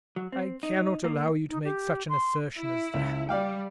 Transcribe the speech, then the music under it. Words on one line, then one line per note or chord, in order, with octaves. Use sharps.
I cannot allow you to make such an assertion as that.
F#3
C4
D#4
A#3
D#4
G4
C6
E4
C#2
G3 D5 F5 G5